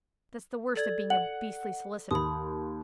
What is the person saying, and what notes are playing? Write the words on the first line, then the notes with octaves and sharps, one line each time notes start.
That's the worst of being a beastly solicitor.
A4 D5 G#6
F#5 F#7
D#2 B5 D#6